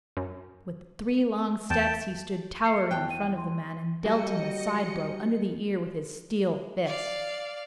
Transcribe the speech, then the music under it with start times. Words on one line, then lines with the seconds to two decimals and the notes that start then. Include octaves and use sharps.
With three long steps he stood towering in front of the man and dealt him a side blow under the ear with his steel fist.
0.17 F#2
1.70 E2 G5 A5
2.65 C7 C#7
2.91 E2 G5 A5 F#6
3.10 D#7
3.38 C6
4.05 G3 F#4 G4 D#5 C#7
6.86 D5 F5